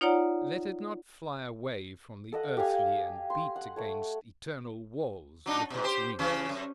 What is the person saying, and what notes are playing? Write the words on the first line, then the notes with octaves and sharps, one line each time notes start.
Let it not fly away from the earthly and beat against eternal walls with its wings!
D#4 F4 C#5 D5 F#5 A#5
A4 D#5 F#5
G4 B4 F5 G#5
C6
F#5
A3 C#5
F#3 D4 D#4
G#2 B2
G4 C5
C#3 E3 C#4
F#2